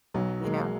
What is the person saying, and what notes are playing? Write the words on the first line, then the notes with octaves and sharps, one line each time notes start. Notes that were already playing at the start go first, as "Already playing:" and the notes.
you know,
B1 F#3
G#3 A#3